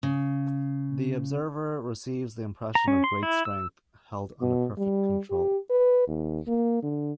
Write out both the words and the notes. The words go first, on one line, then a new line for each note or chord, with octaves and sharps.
The observer receives the impression of great strength held under perfect control.
C#3
A#5
C#4
C6
E4
E6
B2
G3
G4
B4
D#2
A#3
D3